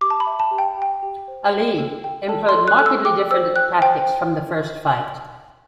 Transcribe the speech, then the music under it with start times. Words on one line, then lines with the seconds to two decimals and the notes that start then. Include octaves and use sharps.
Ali employed markedly different tactics from the first fight.
0.01 G4 D6
0.10 A5
0.20 B5
0.27 E5
0.40 A5
0.51 G4
0.58 G5
0.77 G4 G5
1.03 G4
1.28 C5
1.53 G5
1.78 A4
2.04 G5
2.29 A4 A5
2.49 C6
2.55 A4
2.68 F#6
2.79 A4 F#6
2.86 E6
3.05 G5 D6
3.31 C5 E6
3.56 G5 F#6
3.82 C5 G5